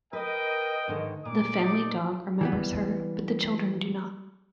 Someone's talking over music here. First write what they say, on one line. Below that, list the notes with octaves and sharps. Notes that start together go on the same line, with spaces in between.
The family dog remembers her, but the children do not.
A#4 B4 D#5 G5
G#2 D3 D#3
A#2 D6
A3 D#4 D5
E3 G3 B3